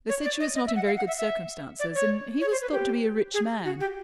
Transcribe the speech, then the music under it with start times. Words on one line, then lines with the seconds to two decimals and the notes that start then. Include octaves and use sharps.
They said she was not in very good circumstances, and he was thought to be a rich man.
0.09 C#5
0.24 D5
0.40 D#5
0.55 D#5
0.66 E5
0.76 F#5
0.86 F5
0.97 F#5
1.07 E5
1.17 E5
1.79 D5
1.95 C#5
2.41 C#5
2.51 C5
2.62 B4
2.72 G4
3.34 G#4
3.65 F#4
3.80 G4